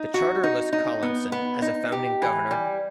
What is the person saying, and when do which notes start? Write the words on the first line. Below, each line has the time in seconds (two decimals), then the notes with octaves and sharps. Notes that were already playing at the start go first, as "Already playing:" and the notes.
The charter lists Collinson as a founding governor.
Already playing: D#4
0.14 F#4
0.43 D#4
0.73 D#4
1.03 B3
1.32 B3
1.62 D#4
1.92 G4
2.22 E3
2.51 G3